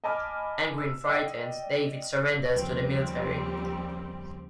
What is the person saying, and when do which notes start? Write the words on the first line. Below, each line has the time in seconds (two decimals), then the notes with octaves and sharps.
Angry and frightened, David surrenders to the military.
0.04 D#5 G#5 A5 B5 D6 F6
0.78 E6
1.07 D5 D#5 G5
2.52 D#2 C#3 F3 G3 C4